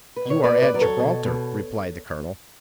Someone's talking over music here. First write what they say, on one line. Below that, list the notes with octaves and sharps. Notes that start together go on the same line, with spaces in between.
"You are at Gibraltar," replied the colonel.
B4
B2
C#5
B4 D5
B3
B4 D5
F#3 D5
A4 C#5
B2
B2